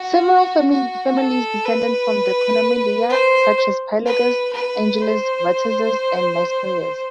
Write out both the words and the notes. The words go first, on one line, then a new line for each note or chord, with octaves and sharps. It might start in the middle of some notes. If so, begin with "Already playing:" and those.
Several families descended from the Komnenodoukai, such as Palaiologos, Angelos, Vatatzes and Laskaris.
Already playing: F#4
F#4
A4
B4
C5
B4
B4
C5